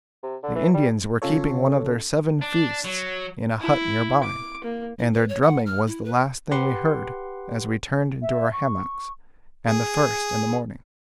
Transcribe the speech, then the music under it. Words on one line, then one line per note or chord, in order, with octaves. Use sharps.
The Indians were keeping one of their seven feasts in a hut near by, and their drumming was the last thing we heard as we turned into our hammocks, and the first in the morning.
C3
D3
E3
G3
C#3 C#4 F4 A4 C#5
D4
F#3
E4
D6
A#3
E4
B4
C#5
F#5
F6
E4
B4
G4 B4 F#5 C6
E5
C#6
G#4